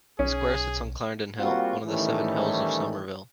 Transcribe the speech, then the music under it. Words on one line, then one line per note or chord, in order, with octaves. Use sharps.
The square sits on Clarendon Hill, one of the seven hills of Somerville.
B1 C#4 G#4
G3 A#3 C4 F4 F#4
A2 D#3 E3 G3 A3 C#4